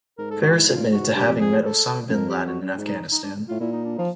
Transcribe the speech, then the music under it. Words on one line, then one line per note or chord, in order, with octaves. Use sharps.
Faris admitted to having met Osama bin Laden in Afghanistan.
G#2 A#4
A4
F#4
E4
F4
F#4
G2 G4
F2
F2 G#4
A4
F#2
F2 A#4
G4
F#4
F#2
G#2
D#4
D#4
D4
A2 F4
A#2 E4
D#4
D4
F3 D#4